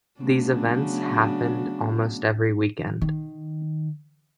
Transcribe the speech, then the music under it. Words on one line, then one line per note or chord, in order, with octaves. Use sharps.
These events happened almost every weekend.
C#3 F#3 A3 B3 C#4 D4
D#3